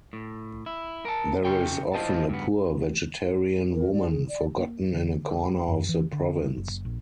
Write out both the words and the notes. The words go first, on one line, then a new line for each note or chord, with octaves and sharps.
There is often a poor vegetarian woman forgotten in a corner of the province ...
A2
E4
A#4 A5
C#3 C#4 C#5 G5
E4 F4 B4 C5 D#5 A5
G2 B3
A#4
D5
G#4
D5
A#3
D3
F#2
E3
D3
F#1
A#1